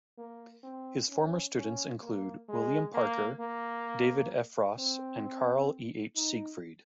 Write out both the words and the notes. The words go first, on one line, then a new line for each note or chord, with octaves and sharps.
His former students include William Parker, David Ephross, and Karl E. H. Seigfried.
A#3
C4
C#4
C#4
A#3
G#3
A#3
A#3
C4
D#4